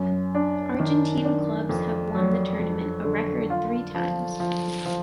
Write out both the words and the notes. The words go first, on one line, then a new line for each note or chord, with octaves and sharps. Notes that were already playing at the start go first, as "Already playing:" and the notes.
Argentine clubs have won the tournament a record three times.
Already playing: F#2
D4
D#3
D4
F2
F#3
F2
D3
F4
F3
F3
F3